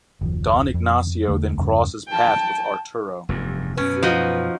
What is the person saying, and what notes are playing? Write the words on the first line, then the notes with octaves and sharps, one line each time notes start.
Don Ignacio then crosses path with Arturo.
F#1 D#2 F3
F2
E2 D3 A3
E2 G2 C#3
G5 A5
F1 E2 G2
F#2 B2 C#4 B4
F3 D#4 F#4 D#5